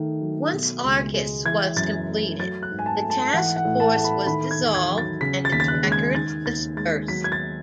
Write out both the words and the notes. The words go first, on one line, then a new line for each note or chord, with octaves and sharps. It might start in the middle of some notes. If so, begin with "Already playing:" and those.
Once "Argus" was completed, the task force was dissolved, and its records dispersed.
Already playing: D#3 A3
F#3
B2
C#2
G#3
E3 G#6
F#2 A6
A3
F#3 A6
F#6
G#2
G#5
A5
A3
A5
E3 F#5
F#5
A2
A5
A3
B5
D#3 B5
G#6
E2
G#6
F#3
A6
C#3 B6
A6
D#2 B6
A6
F#6
G#3
G#6
D#3 A6
D#2 A6
G#3 A6
F#3 B6
G#6
A6